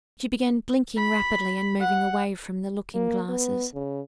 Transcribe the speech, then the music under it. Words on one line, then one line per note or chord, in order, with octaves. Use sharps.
She began blinking rapidly and moved away from the looking glasses.
B5
F#5
A#3
B3
C#3